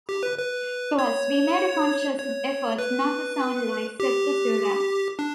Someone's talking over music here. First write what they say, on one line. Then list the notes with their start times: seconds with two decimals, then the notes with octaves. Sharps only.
Plus, we made a conscious effort not to sound like Sepultura.
0.09 G4
0.23 B4
0.38 B4
0.99 C#5
2.19 C#5
2.79 B4
4.00 G4
5.19 D4